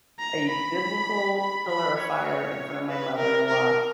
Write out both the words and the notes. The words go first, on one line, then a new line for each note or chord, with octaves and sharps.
a "biblical pillar of fire" in front of my mother-in-law,
A#5
B5
B5
B5
C#5
B4
A#4
A#4